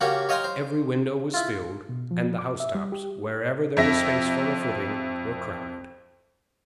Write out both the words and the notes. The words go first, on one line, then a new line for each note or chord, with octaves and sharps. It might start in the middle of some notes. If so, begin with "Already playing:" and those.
Every window was filled, and the house-tops, wherever there was space for a footing, were crowded.
C#3 A#3 C#4 F#4 G4 C#5
C#5 D#5 F5 G5 A#5 C6
C5
E4 F4
B2
F3
D6
E5
G3
G4
F2 E5 A#6